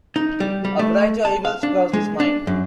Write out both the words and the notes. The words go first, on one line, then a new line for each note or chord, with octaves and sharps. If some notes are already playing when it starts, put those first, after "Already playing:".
A variety of evils crossed his mind.
D#4
G3
G3
A3
A5
F5
D4
G#3
D4
F#2